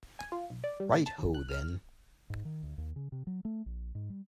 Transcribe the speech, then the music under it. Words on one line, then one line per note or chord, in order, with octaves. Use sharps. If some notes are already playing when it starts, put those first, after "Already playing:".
Right ho, then.
G#5
F4
B1
D5
G3
A#2
A5
D#2
F#6
F6
G#2
D#3
D2
D#2
C#3
C3
F#3
A3
A#1
G#2
G3